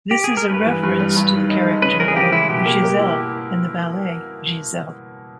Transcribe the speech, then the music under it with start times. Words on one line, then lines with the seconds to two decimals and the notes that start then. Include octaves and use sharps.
This is a reference to the character of Giselle in the ballet "Giselle".
0.11 G4
0.24 G#4
0.37 A#4
0.49 G2 B4
0.66 E3
0.83 G2
1.00 G3
1.16 G2
1.33 D#3
1.50 D#4
1.66 G#3
1.82 C#3 B4
2.00 E3 A#4
2.08 G#4
2.16 C#3 G4
2.32 G#3 E4
2.49 B2 G4
2.66 A#3
2.83 A#4
2.99 E4